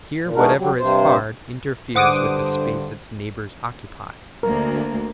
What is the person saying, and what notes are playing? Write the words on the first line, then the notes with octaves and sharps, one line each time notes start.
Here whatever is hard interferes with the space its neighbors occupy.
A#2
E3 G#3 D4 D#4 F#4 A#4
F#3 G3
G2 C3 C5
G2 D3 C5 F#5 D6 D#6
D2 A#3 A#4